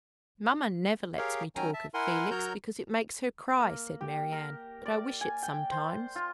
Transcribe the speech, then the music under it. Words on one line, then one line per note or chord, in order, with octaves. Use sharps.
'Mamma never lets me talk of Felix, because it makes her cry,' said Marianne; but I wish it sometimes.'
G4 G#4 A#4 C#5 F5 G5
D#3 F#3 C#4 G5 G#5 A#5
E5 A5
E4 A#4 F#5 G#5 C6
F#3 F#4 A#4 C#5 A#5 G6
A#3
G4
A#4
D5
G#5
G5
C5
F4